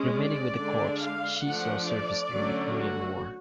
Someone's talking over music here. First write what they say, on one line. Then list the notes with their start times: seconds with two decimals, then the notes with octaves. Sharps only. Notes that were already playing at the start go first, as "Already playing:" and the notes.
Remaining with the Corps, she saw service during the Korean War.
Already playing: G#3 C#4
0.13 D5
0.57 D3 G#3 D4
1.00 F5
1.44 F3 A3 D4 F#5
1.89 D5
2.32 D3 F#3 A3 C#4
2.76 F#4